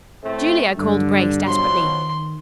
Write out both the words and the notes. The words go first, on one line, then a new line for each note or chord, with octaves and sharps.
"Julia," called Grace desperately.
A2 A3 C4
G2 D3
B2 F3 F#3 C6
D#3